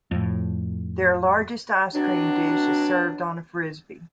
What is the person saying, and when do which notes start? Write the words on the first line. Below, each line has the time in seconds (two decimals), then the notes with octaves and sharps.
Their largest ice cream dish is served on a frisbee.
0.11 F2 A2
1.95 B2 F#3 C4 D4